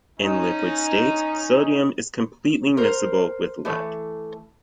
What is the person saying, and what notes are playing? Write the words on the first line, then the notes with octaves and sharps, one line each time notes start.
In liquid state, sodium is completely miscible with lead.
C#4 D#4
A#4 C5
E3 A3